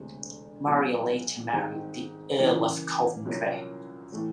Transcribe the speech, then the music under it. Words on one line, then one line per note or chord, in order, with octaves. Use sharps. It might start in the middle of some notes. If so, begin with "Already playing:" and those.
Maria later married the Earl of Coventry.
Already playing: E1 D2 C3
B1 B2 F#3
G#2 D#3 G3 C4 D#4
C#3 E3 G3 A#3
C2 A#2 F#3 A#3 C#4
A2 E3 A3